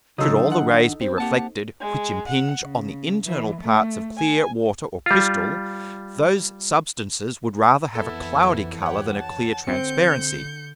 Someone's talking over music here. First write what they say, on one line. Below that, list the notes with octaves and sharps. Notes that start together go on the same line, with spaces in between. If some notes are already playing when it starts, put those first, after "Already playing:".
Should all the Rays be reflected which impinge on the internal parts of clear Water or Crystal, those Substances would rather have a cloudy Colour than a clear Transparency.
C#3 F#3 D4 D#4 A4 C6
D#3 F#5
C4 C5
A#3 G4 F#5 A5
G#3
F#5
C#3
E3
A3
G#5
G3 F4
F2 E3 B3 E4 A4
G4 C#5 F#5
A5
D3 C4 G6 C#7